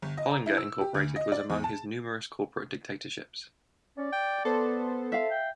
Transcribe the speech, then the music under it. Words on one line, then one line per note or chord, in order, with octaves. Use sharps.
Hollinger Incorporated was among his numerous corporate directorships.
G1
D#5
A#5
E4
E6
G4
D2
D#5
D5
E2
A5
C#4 D5
G5
B3 A4 C5
E5 F5
G5